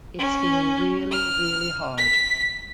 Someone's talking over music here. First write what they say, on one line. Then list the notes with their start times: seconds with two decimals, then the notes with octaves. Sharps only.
It's been really, really hard.
0.19 C#4
1.12 F6
1.98 B6